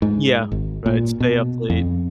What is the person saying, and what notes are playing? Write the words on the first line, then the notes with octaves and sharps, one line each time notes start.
Yeah. Right, stay up late.
G#2
G#1
A#2
B2
F2